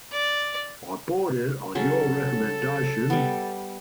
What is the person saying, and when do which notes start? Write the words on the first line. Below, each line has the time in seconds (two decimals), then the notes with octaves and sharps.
I bought it on your recommendation.
0.12 D5
1.75 C#3 F#3 C#4 A4
3.10 G3 B3